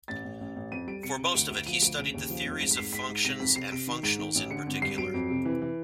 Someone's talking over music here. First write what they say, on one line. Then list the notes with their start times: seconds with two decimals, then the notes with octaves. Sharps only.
For most of it he studied the theories of functions and functionals in particular.
0.08 A1 A6
0.25 A1
0.41 A1
0.56 A1
0.72 F2 D#7
0.88 G3 D7
1.03 C3 C#7
1.19 C3
1.35 D2 D7
1.51 D2
1.56 D7
1.67 F3 D#7
1.82 D2 D7
1.98 C#3 D7
2.14 D#2
2.30 F3
2.45 F1
2.61 G#2 D7
2.71 B6
2.77 G#2 C7
2.93 G#2 B6
3.09 G#2
3.25 C3 A#6
3.40 F2 B6
3.56 C3 C7
3.72 C3 D7
3.87 D#3
4.03 G#2 D7
4.19 D#3
4.35 A1
4.51 D3 C#7
4.66 G#1
4.82 G2 C7
4.98 F#3 D7
5.14 F2
5.30 C3
5.45 E3
5.62 E3